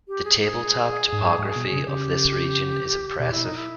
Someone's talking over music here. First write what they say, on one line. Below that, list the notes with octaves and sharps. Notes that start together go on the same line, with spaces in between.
The table top topography of this region is impressive.
G4
G#4
G#4
G#2
G2
G#2
B2
C#3
C#3 G4
B2 G4
B2 E4
D#4
E4